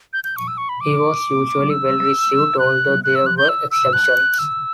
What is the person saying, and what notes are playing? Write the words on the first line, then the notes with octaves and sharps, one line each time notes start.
He was usually well-received although there were exceptions.
G6
G6
C#6
E6
C#6
B5
D6
E6
F#6
F#6
E6
F#6
G6
E6
E6
F#6
E6